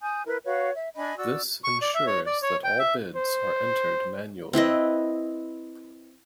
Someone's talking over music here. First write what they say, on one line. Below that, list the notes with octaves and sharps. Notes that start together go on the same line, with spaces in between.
This ensures that all bids are entered manually.
G#5 D#6 G6
E4 A#4 B4
F#4 B4 C#5 F5
E5
D4 D#5 G#5 B5
F#4 D5 E6
C#6
D5
E5
C#5
D5
C#5
G5
E5
C5
C4 E4 B4 D#5